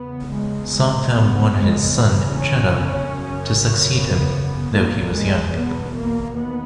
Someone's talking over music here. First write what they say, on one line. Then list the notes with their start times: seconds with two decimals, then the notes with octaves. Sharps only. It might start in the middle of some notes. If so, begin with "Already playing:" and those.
Songtham wanted his son, Chettha, to succeed him, though he was young.
Already playing: E2 C#3 B3
0.32 G#3
0.73 G#3
1.13 B3
1.53 E2 C#3 G#3
1.93 E3
2.33 C#4
3.13 F#2 C#3
3.94 B3
4.74 E2 B2 A#3
5.14 G#3
5.55 B3
5.94 A#3
6.34 D#2 B3